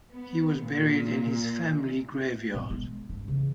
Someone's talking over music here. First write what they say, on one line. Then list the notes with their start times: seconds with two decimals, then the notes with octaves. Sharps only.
He was buried in his family graveyard.
0.12 B3
0.62 A#2
2.54 B2 D#3
2.70 G#3 B3
3.10 G2 D4
3.28 C#3 E3